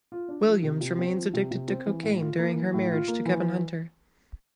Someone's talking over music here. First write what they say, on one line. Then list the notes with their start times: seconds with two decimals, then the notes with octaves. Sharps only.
Williams remains addicted to cocaine during her marriage to Kevin Hunter.
0.12 F4
0.29 D4
0.47 F3
0.63 C3
0.81 C3
0.99 C4
1.16 F3
1.34 C3
1.51 C3
1.68 C4
1.86 E3
2.03 A2
2.22 F4
2.38 A#3
2.55 E3
2.74 A2
2.92 F4
3.08 A#3
3.26 E3